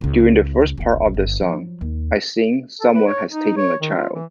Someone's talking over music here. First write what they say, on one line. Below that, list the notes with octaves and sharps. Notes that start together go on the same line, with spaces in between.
During the first part of the song, I sing 'Someone has taken a child.
C#2 C#3
E1 C2
G1
F3 F#3
D#2
A4
B4
C#5
D#4
C#5
D#3
F4
E3